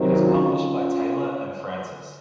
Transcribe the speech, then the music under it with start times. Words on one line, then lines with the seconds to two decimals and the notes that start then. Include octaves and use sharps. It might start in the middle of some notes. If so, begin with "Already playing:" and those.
It is published by Taylor and Francis.
Already playing: C3 D#3 F#3
0.21 C#4 F4